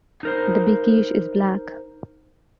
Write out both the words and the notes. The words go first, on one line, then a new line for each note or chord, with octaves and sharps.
The "Bekishe" is black.
D#4 A#4 C5